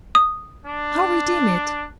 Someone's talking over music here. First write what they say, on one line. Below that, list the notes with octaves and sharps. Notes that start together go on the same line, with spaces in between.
How redeem it?'
D#6
D4